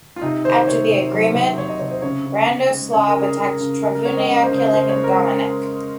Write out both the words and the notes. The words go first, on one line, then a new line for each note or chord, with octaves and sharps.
After the agreement, Radoslav attacked Travunia, killing Domanek.
F4
C3 D#4
D#3 C5
C3 C#5
C3
F#3
C3
C3 C#5
D#5
C3 C#5
C5
C#3 C#5
C#3
C#3
G#3
C#3 C#5
A#4
C#3
G#4
C#3 A#4
C#3
C#3 A#4
A#4
G#3 C#5
D#5
C#3
C5
C#3
C5
C#3 C5
C#5
G#3
A#4
G#3